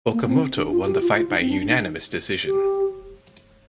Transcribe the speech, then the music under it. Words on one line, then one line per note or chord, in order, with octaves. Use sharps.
Okamoto won the fight by unanimous decision.
A#3
C4
D4
F4
G4
F4
F4
D#4
C4
D4
D#4
G4